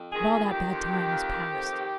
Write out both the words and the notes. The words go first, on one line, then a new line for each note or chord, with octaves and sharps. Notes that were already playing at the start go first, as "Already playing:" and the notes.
But all that bad time is past.
Already playing: F2
D#3 G#4
F2
D#3 G4
F2
D#3
F2
D#3
F2
D#3